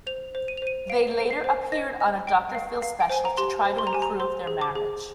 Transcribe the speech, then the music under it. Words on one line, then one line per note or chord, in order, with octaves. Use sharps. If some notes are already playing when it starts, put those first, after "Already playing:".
They later appeared on a Doctor Phil special to try to improve their marriage.
C5 F7
C5
D#7
F7
C5 D#7
F5 D7
C5 D7
C7
C5
D#5 A#6
D#5
G5
F5
F5
G5
C5 G#5
A#5
G4 C6
C5
C6
A#5
G4 G#5
A#5
C5 C6
G#4
D6
G#4